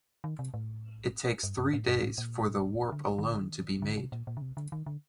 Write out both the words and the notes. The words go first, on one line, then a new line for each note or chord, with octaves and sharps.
It takes three days for the warp alone to be made.
D#3
C3
A2
G2
G2
A2
G2
A2
A#2
D3
D#3
D3
D#3
D3
C3
A#2
A#2
D3
C3
D3
D#3
D3